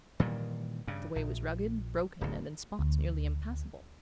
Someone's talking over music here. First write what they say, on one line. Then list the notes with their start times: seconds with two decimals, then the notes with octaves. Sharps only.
But the way was rugged, broken, and in spots nearly impassable.
0.20 A#2 D#3 E3 G3
0.88 G2 C#3
1.16 A#1
2.21 D1 D2
2.79 D2